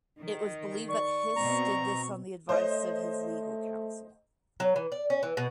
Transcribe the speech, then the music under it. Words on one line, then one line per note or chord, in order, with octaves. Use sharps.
It was believed that Hiss did this on the advice of his legal counsel.
D#3
D5 C#6
B2 C4 A#5
A3 C5 C#5 D#5
F#3
E3
D5
C#4
E3
B2